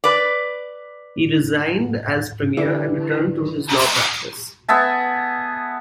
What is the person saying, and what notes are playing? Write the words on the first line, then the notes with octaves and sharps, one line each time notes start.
He resigned as premier and returned to his law practice.
B4 D5
D3 E3 G3 E4 D5
B3 G#4 E5 A5